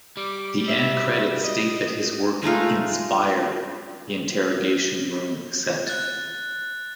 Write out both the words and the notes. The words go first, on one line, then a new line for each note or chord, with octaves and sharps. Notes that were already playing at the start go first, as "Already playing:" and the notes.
The end credits state that his work "inspired" the Interrogation Room set.
G3 D6
E5
D#5
G#3 A3 D#4 F4
F#6 A6